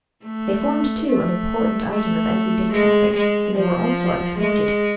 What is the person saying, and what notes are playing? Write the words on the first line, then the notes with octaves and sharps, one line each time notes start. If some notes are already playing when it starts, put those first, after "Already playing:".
They formed, too, an important item of everyday traffic, and they were also exported.
A3
A3
A3
G#3
G#3
F3
G#3